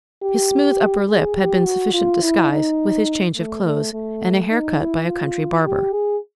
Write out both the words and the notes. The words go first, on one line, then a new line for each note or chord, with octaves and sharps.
His smooth upper lip had been sufficient disguise, with his change of clothes, and a hair-cut by a country barber.
G4
G#4
G4
F#4
F4
E4
D#4
A3
A3
A3
D#4
E4
F4
G4
G#4